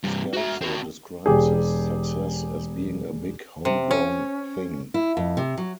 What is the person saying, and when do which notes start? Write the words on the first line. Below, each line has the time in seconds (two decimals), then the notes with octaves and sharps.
Scalzo describes his success as being a big homegrown thing.
0.03 G2 C3
0.33 F#4 E5
0.61 C4 F#4
1.26 E1 G4 G#4
3.65 C3
3.91 C#4
4.94 E4
5.17 F2
5.37 C3
5.58 F#3